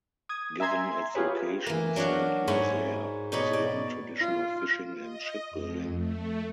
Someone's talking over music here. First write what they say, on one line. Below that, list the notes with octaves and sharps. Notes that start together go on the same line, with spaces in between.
Given its location, Saint-Nazaire has a long tradition of fishing and shipbuilding.
D#6 G#6
E5 G#5 A#5 C6 G#6
F4 G4 G#4 B4 C#5
E3 A#3
F#3 D4 F#4 F5
G#2 E4 C#5 B5
B2 D#4 C#5 D5 B5
D5
F4
D#5
F2
A3